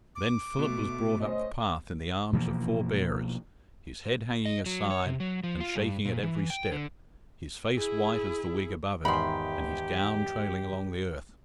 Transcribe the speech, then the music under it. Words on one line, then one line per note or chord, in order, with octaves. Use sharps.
And then Philip was brought up the path in the arms of four bearers, his head hanging aside and shaking at every step, his face white as the wig above it, and his gown trailing along the earth.
D6
B2 A3
C#4 C5 D#5
B2 E3 F3 A#3
D#5
F#3
C#5
C3
F#3
F3
F4
G2
A#2
E3
G5
D3
E4 G#4
E2 G#2 D#3 G4 B5 C6